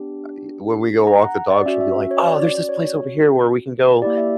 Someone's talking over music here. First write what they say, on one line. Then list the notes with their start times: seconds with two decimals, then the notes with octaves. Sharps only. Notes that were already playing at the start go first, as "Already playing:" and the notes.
a i when we go walk the dog, she'll be like, "Oh, there's this place over here where we can go."
Already playing: B3 D4 G4
1.07 A#5
1.22 F#5
1.51 D5
1.66 C#4 F#4 E5
1.81 E5
2.11 C#5
2.25 D5
2.40 D5
2.55 D5
2.69 C#5
4.02 A#3 E4 G4 D5
4.18 E5